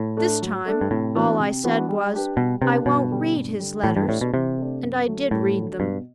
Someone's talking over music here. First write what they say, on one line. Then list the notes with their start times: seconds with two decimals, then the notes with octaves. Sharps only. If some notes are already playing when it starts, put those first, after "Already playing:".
This, time, all I said was, 'I won't read his letters!' And I did read them.
Already playing: A2
0.17 A3 D4 A4
0.41 F#3
0.65 A3 D4 A4
0.81 G2
0.90 A2 C3
1.15 E3 B3 D4 F#4
1.40 C3
1.63 E3 B3 D4 F#4
1.88 G3
2.13 D4 G4 B4
2.37 B2 G3
2.62 C3 D4 G4 B4
2.86 G2 B2
3.11 D3 G3
3.35 G2
3.59 D3 G3
3.84 A2 E3
3.97 G2
4.08 A2 A3 D4 G4 D5
4.21 B2
4.33 C3 E3
4.58 A3 D4 G4 D5
4.82 F#2
5.06 D3 F#3 A3
5.31 F#2 A2
5.56 D3 F#3 A3
5.80 G2 B2